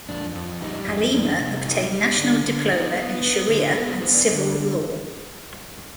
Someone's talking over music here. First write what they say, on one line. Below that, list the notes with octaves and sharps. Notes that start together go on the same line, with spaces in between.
Halima obtained National Diploma in sharia and civil law.
F2 D4
F2
G3 D#4
F2
F2 D4
C3
G3 D#4
G3
D3 D4
D3
B3 D#4
B3
B3
D3
B3 G4 B4
G#4 C5
B3 G#4 C5
B4 D5
D3 C5 D#5